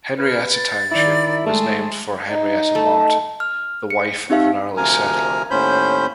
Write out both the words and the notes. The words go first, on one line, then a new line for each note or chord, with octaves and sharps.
Henrietta Township was named for Henrietta Martin, the wife of an early settler.
B4 F6
A6
D#3 E4 D5
G#3 A3 A5
D#4
A3
F6
C#7
C4 D#4 G4 E5 F5
D2 C3 F3 A#4 G#5 A#5
D#2 A2 C#4 C5 B5 G6